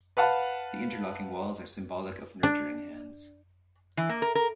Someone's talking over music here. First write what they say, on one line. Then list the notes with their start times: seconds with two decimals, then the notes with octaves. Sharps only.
The interlocking walls are symbolic of nurturing hands.
0.17 B4 F5 F#5 A5
2.43 D4
3.97 E3
4.09 A#3
4.22 A#4
4.35 A#4